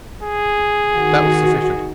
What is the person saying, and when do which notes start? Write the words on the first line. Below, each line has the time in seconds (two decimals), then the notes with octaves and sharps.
That was sufficient.
0.23 G#4
0.92 D#3 F#4